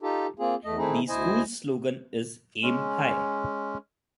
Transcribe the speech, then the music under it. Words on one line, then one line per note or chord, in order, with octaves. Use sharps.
The school's slogan is "Aim High".
D#4 F4 G4 A4
A#3 C4 F4 G#4
E2 A3 D#5
D#3 A3 C4 D#4 E4 G#4
D2 E4 C5 D#5 G#5
G#3 C#4